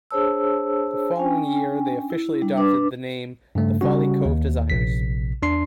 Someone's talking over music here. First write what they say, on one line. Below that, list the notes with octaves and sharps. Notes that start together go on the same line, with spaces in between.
The following year they officially adopted the name "The Folly Cove Designers".
D4 G#4 C5 C#5 A5 E6
C#4 D4 G5 G#5
E4
G3 D4
D4 B4 D6
G2 C#3 A3
C#3 G3 C#4 F#4
D#2
A#1 C3 B6
E2 D4 C6 C7